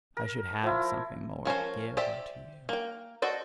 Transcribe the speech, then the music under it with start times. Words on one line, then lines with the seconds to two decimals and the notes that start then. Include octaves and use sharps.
I should have something more to give unto you!
0.17 A#4
0.63 F3 E4
1.45 F3 C#4 A#4 C5
1.97 G4 C5 D5 E5 G5
2.69 A#3 G5
3.22 F#4 A4 C5 D5 D#5